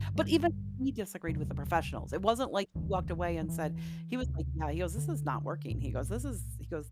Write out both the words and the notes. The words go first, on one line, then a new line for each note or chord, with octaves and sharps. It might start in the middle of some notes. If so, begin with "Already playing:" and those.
But even he disagreed with the professionals. It wasn't like he walked away and said he was like, "No." He goes, "This is not working." He goes, "This is" He goes,
Already playing: A1 G2 D3
G3
E1 D2 C3 F#3
E1 D2 D3 E3
F#3
E3
D2 C3
D3
B1 A2